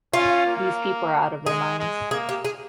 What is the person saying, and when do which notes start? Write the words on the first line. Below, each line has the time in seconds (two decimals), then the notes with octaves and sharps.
These people are out of their minds.
0.13 C#4 F4
0.46 A#3
1.46 G#3 G#4
1.79 G#3
2.11 A#3 G#4
2.29 G4
2.45 G#4